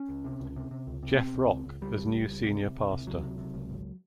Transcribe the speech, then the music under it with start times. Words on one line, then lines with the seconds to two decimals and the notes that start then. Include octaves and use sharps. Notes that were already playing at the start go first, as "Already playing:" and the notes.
Jeff Rock as new senior pastor.
Already playing: C#4
0.09 C#2
0.24 C3
0.40 C#2
0.56 C3
0.71 C3
0.87 C#2
1.03 C3
1.15 B3
1.18 B2 C4
1.34 C#2
1.50 C#2
1.66 C#2
1.82 C#2 G3
1.97 C#2
2.13 C#2
2.28 C#2
2.44 C3
2.60 C3
2.76 C#2
2.91 C3
3.07 C#2 F#3
3.22 C3
3.38 C3
3.54 C#2
3.70 G#1